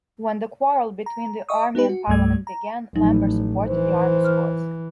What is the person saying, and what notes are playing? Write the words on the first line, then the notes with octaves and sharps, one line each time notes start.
When the quarrel between the Army and Parliament began, Lambert supported the Army's cause.
A#5
D#5 E5 C#6 D#6
B3 D#4 G4 B4
F#4
C2 G2 G3 A3 G#6
A#5
A1 A2 F3 F#3 D#4
E3 C5
F6